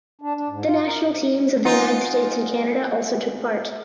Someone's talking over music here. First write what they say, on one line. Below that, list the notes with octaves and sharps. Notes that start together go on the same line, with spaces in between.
The national teams of the United States and Canada also took part.
D4
D4
G#2
F4
A#4
D#4 F4 F#5 G#5